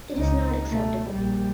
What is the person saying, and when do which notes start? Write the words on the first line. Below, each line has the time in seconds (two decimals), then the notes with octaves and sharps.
It is not acceptable.
0.15 C#2 D#4
0.67 B2 A3
1.10 A#1 G3